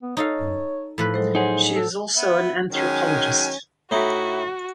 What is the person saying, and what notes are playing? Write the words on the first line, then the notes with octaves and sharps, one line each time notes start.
She is also an anthropologist.
B3
D#4 A4 C#5 F5
A2 F3 B4
F#3 G#3 A4 C5
D#4 G#4 C5 C#5 F#5
A4
B3 E5
D#3 F#3 G#3 C#4 G#5
A2 D#4 E4 F#4